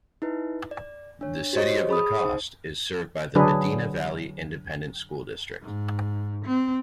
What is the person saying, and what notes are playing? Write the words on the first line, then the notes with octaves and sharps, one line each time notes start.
The City of LaCoste is served by the Medina Valley Independent School District.
D#4 E4 B4
D5
D4 C#5
F#4 G4 C5 C#5 D#5
G#4 B5 D#6
D#4 C5
D3 F#3 D4 G#4 B4
G#2
C4